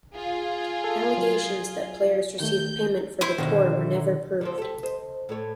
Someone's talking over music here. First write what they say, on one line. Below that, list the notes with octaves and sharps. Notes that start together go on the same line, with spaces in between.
Allegations that players received payment for the tour were never proved.
F4 G#4
A4
F#3
D#3 A3 G6
E4 C5
B2 D3 D#3
D3 F3 C4
G4 A4
C5 D#5
A2 A4 C#5